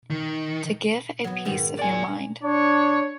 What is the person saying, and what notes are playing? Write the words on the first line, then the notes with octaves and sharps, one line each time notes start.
To give a piece of your mind.
D#3
F#3 B3
G#2 D#3
D5 G#5
D4 C#5